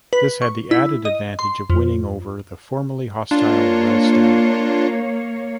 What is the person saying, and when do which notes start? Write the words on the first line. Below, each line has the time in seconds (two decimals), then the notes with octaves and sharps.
This had the added advantage of winning over the formerly hostile Rellstab.
0.13 B4
0.42 C#6
0.71 E4
1.05 D#5
1.39 C6
1.70 F2
3.31 A#3 D4 F4 C#5